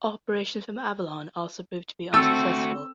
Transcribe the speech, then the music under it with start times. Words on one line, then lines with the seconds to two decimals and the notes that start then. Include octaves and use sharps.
Operations from Avalon also proved to be unsuccessful.
2.14 A3 C4 F#4 A4 E6